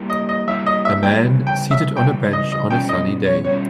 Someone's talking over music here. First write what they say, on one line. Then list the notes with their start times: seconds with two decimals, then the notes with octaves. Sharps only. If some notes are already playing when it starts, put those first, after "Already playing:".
A man seated on a bench on a sunny day.
Already playing: G3 A#3 E4 G4 A#4
0.10 D#5
0.29 D#5
0.47 G3 A#3 E4 G4 A#4 E5
0.66 D#5
0.85 E5
1.03 G5
1.22 C#3 E3 G3
1.47 G5
1.71 E5
1.97 C#3 E3 G3 G5
2.33 D#5
2.52 D#5
2.70 B2 G3 C#4 G5
2.89 D#5
3.26 C#5
3.44 B2 G3 C#4 C#5